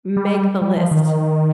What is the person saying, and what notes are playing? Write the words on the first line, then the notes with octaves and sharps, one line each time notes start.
make the list
G3
G3
F3
D#3